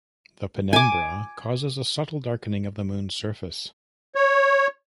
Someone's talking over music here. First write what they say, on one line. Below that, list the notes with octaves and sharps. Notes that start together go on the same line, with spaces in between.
The penumbra causes a subtle darkening of the moon's surface.
G#5 D6
C#5